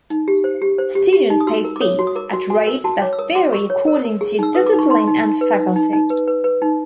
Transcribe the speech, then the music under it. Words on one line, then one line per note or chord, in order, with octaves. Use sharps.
Students pay fees, at rates that vary according to discipline and Faculty.
D#4
G4
C5
G4
C5
G4
G4
D#4
D#6
F#4 E6
A#4
D6
C#5 D#6
F#4
D#6
A#4 D6
F#4
F#4 G#5
A#4
F#4 A5
C#5 D6
E6
A#4 D#6
F#4 D6
A#4 C#6
C#5
A#4
A#4
G#4
D#4 E6
B4 D#6
D6
D#4
C#6
D#4 C6
D#4
D#4
B4
D#4
D#4
D#4
B4
B4
B4
D#4